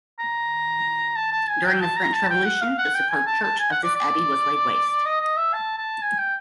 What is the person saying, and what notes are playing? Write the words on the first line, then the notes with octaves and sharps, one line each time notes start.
During the French Revolution, the superb church of this abbey was laid waste.
A#5
A5
A5
G#5
G5
A5
A#5
A5
G5
F#5
F5
F#5
G5
G#5
A5
A5
G#5
F#5
D5
D5
D#5
D#5
E5
A5
A5
G#5
G5